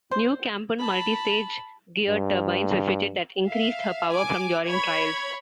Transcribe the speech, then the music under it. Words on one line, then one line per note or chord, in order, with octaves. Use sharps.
New Kampon multi-stage geared turbines were fitted that increased her power from during trials.
C5
A5 B5
G2
E5 F5
G#5 D6
C#5 B5 G#6